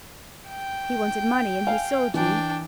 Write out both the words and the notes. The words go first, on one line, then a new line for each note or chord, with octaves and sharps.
He wanted money, and he sold you.
G5
F5 G#5
E3 D4 G5